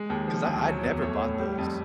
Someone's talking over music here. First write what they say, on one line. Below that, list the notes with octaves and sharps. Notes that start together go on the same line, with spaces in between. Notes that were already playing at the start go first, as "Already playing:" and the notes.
'Cause I I never bought those.
Already playing: G#3
D#2
F3
D2
F#3 C#5
E2
A3 C#5
A2
G3
F2